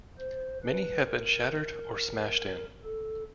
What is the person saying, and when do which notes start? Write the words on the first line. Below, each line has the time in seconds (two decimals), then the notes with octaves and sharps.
Many have been shattered or smashed in.
0.18 C5
0.63 B4
1.07 A#4
2.83 A4